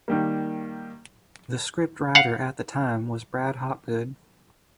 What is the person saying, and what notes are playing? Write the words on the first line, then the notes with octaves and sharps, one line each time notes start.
The script writer at the time was Brad Hopgood.
D#3 G3 A#3
F5 F#5